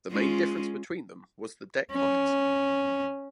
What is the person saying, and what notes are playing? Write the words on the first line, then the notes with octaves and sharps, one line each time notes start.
The main difference between them was the deck height.
G#3 C#4 F4
C#4